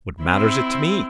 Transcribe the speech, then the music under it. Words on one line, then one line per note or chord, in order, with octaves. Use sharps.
What matters it to me?
C4 E4